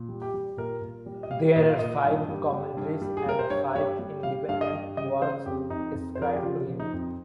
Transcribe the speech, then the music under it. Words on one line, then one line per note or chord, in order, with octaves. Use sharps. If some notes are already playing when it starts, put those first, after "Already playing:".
There are five commentaries and five independent works ascribed to him.
Already playing: A#2
G3
G4
G3
A#2 A#4
A#2
G3
D#5
G3 F5
A#2 D#5
F5
A#2 D#5
G2
G3
G3
G2
G3
G#4
G3 A#4
C5
G2 C#5
G3 C#5
G3
G3 F5
G2 F5
D#5
G3
C#3 D#5
C#3 C5
F2 G4
F2 D#4
F2
C5
F3 A#4
G#4
G4
C#3 F4
F3
D#4
F2